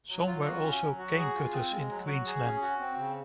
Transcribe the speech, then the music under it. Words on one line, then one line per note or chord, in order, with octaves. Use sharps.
Some were also cane-cutters in Queensland.
F#3
F4
F#4
C#4
F#3
F#4
G#4
F4
C4
G#3
F#3
F#4
G#4
C#4
F#4
C4
C#3